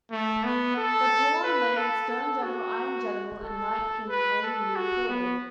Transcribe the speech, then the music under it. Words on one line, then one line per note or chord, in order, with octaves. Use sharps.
The pawn, lance, stone general, iron general, and knight can only move forward.
A3
B3
A4
B4
A4
A4
F#4
A4
B4
A4
F#4
B3